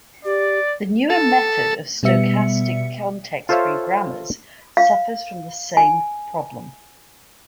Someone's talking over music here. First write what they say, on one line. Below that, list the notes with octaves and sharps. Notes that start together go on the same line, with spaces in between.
The newer method of stochastic context-free grammars suffers from the same problem.
G4 D5
A4
B2 G3 B3 E5 C#7
F4 A4 C5 C#5 E5 F5
F5
G#5